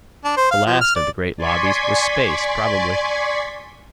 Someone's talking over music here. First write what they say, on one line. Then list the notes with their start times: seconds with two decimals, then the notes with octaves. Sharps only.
The last of the great lobbies was Space, probably.
0.24 D4
0.37 C5
0.51 F5
0.66 F3
0.81 F6
0.95 D5
1.37 D5 G#5 C6 C#6 G#6 B6